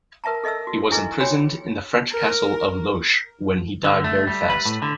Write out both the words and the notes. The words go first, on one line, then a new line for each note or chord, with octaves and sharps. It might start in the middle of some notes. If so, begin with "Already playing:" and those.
He was imprisoned in the French castle of Loches when he died very fast.
A#4 B4 E5 A5 A#5
A4 D#5 E5 A5 E6
F#4
D4 E4 G#4 A4 B4 D#5
F#4 C#5 G5 G#5 B5
A#4
D3
A3
G3
B4
A2
D3